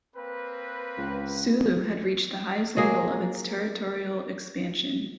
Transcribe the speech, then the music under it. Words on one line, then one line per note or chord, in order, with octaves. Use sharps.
Sulu had reached the highest level of its territorial expansion.
A#3 C4 B4
C#2
F#3 A#3 G#4